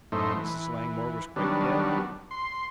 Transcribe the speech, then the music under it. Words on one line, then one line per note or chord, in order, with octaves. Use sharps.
"Mrs. Langmore was quite dead?"
F#2 A2 A3 D#4 C5
E3
D#3 F#3 G3 B3 D4
C6